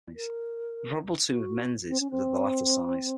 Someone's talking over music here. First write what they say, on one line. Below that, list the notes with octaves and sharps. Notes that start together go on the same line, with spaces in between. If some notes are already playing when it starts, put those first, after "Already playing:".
The probable tomb of Menes is of the latter size.
A#4
F#4
C4
C#4
C4